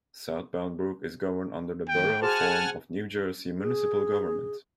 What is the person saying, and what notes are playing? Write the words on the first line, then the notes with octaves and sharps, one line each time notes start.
South Bound Brook is governed under the Borough form of New Jersey municipal government.
D#3 A#3 G5
F#4 G#4 C5 F#5 G#5 A5 F6
G#4